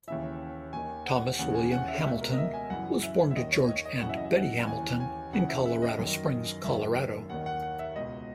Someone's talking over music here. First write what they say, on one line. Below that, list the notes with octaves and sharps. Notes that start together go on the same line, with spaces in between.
Thomas William Hamilton was born to George and Betty Hamilton in Colorado Springs, Colorado.
D#2 C#3 E3 E5
D#2 D#3 G#5
F#5
D#2 C#3 E3 F#5
G#5
F#5
E5
C#2 B2 E5
A#4
D#5
E5
G#5
F#2 C#3 E3 F#5
E5
E5
D#2 D#3 D#5
C#5
D#5
D#5
F#2 C#3 E3 F#5
E5
D#5
E5
F#5
D#2 C#3 E3 G#5
G#5
E2 C#3 E3 F#5
E5
E5
D#5
F#2 D#3
F#2 D#3 E5
D#2 D#3 F#5
F#5
F#5
E5
C#2 B2 D#5